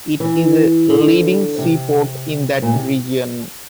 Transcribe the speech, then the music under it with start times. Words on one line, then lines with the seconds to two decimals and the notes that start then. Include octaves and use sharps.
It is a leading seaport in that region.
0.20 E3
0.89 D3
1.58 C3
2.62 A#2
2.73 C3